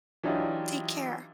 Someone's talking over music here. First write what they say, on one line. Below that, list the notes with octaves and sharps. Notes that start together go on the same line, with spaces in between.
Take care.
E3 F#3 D4 D#4 F4 G4